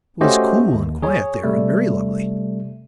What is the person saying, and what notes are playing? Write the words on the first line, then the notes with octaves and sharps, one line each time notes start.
It was cool and quiet there, and very lovely.
A3 C#4 F#4 G4 C5 D#5
D#2
G#4 C#5
C3 G3 A3